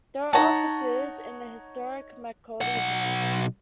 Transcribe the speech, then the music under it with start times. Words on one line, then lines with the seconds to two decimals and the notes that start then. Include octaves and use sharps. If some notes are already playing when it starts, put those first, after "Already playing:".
There are offices in the historic McCaughey house.
0.33 D#4 C#5 F#5 A5 A#5
2.61 B1 F#5